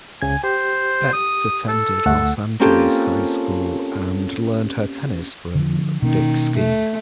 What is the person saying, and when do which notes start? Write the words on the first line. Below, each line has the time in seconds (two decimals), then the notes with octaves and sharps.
Betz attended Los Angeles High School and learned her tennis from Dick Skeen.
0.22 C#2 C#3 G#5 G#6
0.44 G4 C5
1.13 D#6
1.69 A4
2.06 D2 A3 F#5
2.60 A#3 C4 C#4 F4 G4 A4
5.55 D3 F3
6.02 B2 D#3 A#3 C#4
6.56 A3